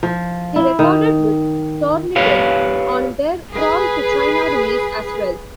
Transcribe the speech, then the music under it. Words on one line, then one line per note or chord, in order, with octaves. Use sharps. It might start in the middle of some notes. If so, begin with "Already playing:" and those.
He recorded with Tourniquet on their "Crawl to China" release as well.
F3
E4
D#3
F4 G4 B4 C#5 F5
G#4 B4